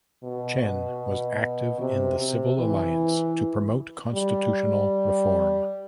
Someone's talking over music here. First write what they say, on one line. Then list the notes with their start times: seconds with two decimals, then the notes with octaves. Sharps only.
Chen was active in the Civil Alliance to Promote Constitutional Reform.
0.24 B2
1.80 C3
2.19 C3
2.58 E3
4.15 G3